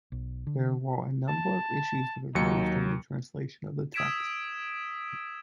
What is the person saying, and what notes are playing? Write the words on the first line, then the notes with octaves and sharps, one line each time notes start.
There were a number of issues that arose during the translation of the text.
B1
D3
A5
D#2 F#3 D#4 C#7
D#6 E6 G#6 B6 D7 E7